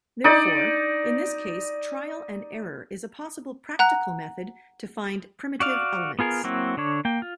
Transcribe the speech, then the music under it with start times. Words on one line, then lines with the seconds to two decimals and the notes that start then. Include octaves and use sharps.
Therefore, in this case trial-and-error is a possible practical method to find primitive elements.
0.24 D#4 D5
3.79 F#5 A#5 F#6
5.60 F#4 D5 F5
6.19 B3 F4 G#4 A#4
6.44 F#3 A#3 C4 E4 F#4
6.77 D3 D4 C#5
7.05 A#3 G5
7.22 F4